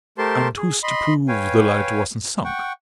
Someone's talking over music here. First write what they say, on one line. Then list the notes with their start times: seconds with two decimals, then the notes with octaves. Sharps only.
And who's to prove the lighter wasn't sunk?
0.18 A3 G4 A#4 C5 A5 C6
0.57 G#4
0.83 D#5 B5 C6
1.28 B4 C#5 F5 G5 G#5
2.45 F#5 G5 C#6